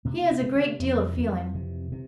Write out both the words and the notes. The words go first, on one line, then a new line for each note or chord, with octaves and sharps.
He has a great deal of feeling.
C3 A#3
C4
C3
D3
F2 E3
F2
C3
C3